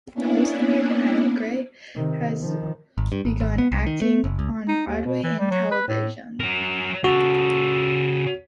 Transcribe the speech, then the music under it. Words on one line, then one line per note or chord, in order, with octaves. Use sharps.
Post "American Idol", Gray has begun acting on Broadway and television.
A#3 B3 C#4 D4 E4
C3 D#3
D#3 F3
G#1
G2
G#1
G#1
B3
C2
D#3
A3
F#1
C#2
D#4
D#2
B2
E3
G3
F#3
B4
A2
F#3 A#4
C#3 F#4 A4